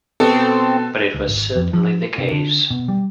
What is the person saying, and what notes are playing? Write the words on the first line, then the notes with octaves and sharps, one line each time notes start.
But it was certainly the case.
B2 C4 A4
C#2
G#1
F2
F3
C3
D3
B2
G3